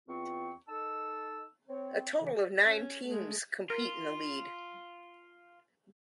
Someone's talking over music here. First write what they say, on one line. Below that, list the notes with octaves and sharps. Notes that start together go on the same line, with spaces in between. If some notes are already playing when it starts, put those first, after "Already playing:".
A total of nine teams compete in the league.
E2 C4 F4 C#6
D#4 A4 A5 E6
C4 C#5
A2 C#3 E3
C#4
G#3 A3
F4 A#4